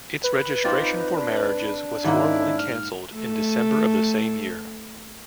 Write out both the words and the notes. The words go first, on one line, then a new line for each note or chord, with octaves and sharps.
Its registration for marriages was formally cancelled in December of the same year.
B4
C4 D#4 F4 D5
D4
G#2 D#3 A#3 C#4 D#4 E4
F6
A3 A4